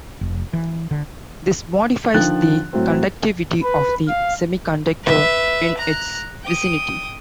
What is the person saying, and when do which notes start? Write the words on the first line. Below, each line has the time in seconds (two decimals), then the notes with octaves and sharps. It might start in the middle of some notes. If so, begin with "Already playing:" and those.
This modifies the conductivity of the semiconductor in its vicinity.
0.21 F1
0.53 E3
0.91 D3
2.14 D3 D#3 F3 G5 F#6 A6
2.73 A2 F#3 C4
3.62 B4
4.08 F5
5.03 B4 E5
5.77 A#5 F#6
6.43 G5 D#6